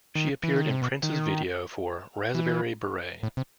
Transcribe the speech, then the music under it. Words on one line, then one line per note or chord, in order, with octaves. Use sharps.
She appeared in Prince's video for "Raspberry Beret".
D#3
E3
D#3
C3
B2
D#3
E3
A2
C3